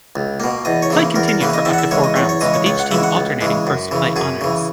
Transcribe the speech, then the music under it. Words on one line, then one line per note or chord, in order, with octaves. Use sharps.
Play continued for up to four rounds, with each team alternating first-play honors.
C#2
B2 A#3
E2 D#5
C#5
C#3 E3 A#3
E2 A#4
A#4
C#3 E3 A#3 B4
D#5
E2 E5
F#5
E5
C#3 E3 G#3 C#5
D#5
E2 C#5
C#5
C#3 E3 G#3 D#5
C#5
C#2 C#5
F#5
C#3 E3 G#3 E5
F#5
C#2
C#3 E3 G#3
F#2
C#3 E3
F#2 G#4
C#3 E3